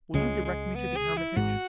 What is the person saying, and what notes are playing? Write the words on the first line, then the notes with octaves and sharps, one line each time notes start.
'Will you direct me to the Hermitage?
C#2 C#3 G#3
G#3
B3
G#4
E4
G#1 G#2 F#4